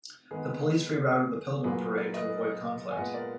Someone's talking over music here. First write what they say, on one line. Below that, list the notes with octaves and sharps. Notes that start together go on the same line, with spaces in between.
The police rerouted the Pilgrim parade to avoid conflict.
D#3 G#3 B3 G#4 B4
A#2 F#3 A#3 G#4 B4
A#4 D5
B4 D#5
G#5
A#2 G#3 B3 D#5 F#5
A#4 D5